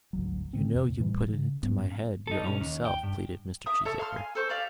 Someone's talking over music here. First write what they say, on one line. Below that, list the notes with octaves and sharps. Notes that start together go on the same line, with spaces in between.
"You know you put it into my head your own self," pleaded Mr. Cheesacre.
G#1 D2 F#3
D3 D#3 C4
F2 C3
A2 E3 F#3 G3
C#3
G#2 F#3 B3 C#4
D#4 A4
B1 C#4
D#2
G5
G2
E5 D#6
A4 C#5 E5 C#6
F5 C6 F6
G#5
A4 C5 C#6
G4 D5 E5 F5